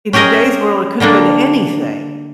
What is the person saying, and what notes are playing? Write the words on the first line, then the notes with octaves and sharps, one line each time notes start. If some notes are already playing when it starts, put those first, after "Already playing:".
in today's world, it could have been anything,
C#4 G4 G#4 A#4 D#5
D3 G3 A#3 D4